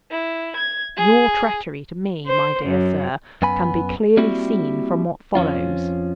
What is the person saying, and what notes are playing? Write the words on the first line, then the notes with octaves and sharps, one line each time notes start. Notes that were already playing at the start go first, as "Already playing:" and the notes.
Your treachery to me, my dear sir, can be clearly seen from what follows.
E4
G#6
G#4
C5
F#2
F#2 B3 G#5 B5
G3 A#3 C4 E4 F#4
F2 F3 C#4 F4